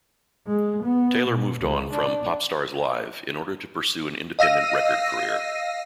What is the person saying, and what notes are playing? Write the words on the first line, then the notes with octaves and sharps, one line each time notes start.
Taylor moved on from "Popstars Live" in order to pursue an independent record career.
G#3
B3
B2
C#2
D4
D#5 F5 E6 A#6 D#7